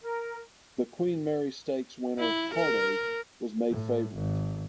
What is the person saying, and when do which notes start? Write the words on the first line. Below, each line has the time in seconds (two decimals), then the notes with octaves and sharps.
The Queen Mary Stakes winner Heartache was made favourite.
0.02 A#4
2.19 E4
2.55 A#4
3.70 A2
4.15 G#1